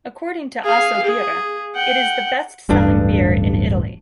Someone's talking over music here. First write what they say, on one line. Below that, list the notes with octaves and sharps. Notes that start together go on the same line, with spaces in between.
According to Assobirra, it is the best selling beer in Italy.
G#4 F5
G#4
F#5 G5
D1 A1 G2 D4